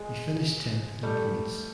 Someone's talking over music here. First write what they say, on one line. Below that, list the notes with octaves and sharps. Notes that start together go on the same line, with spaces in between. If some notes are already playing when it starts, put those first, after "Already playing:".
He finished tenth in points.
Already playing: G#3
G3 A3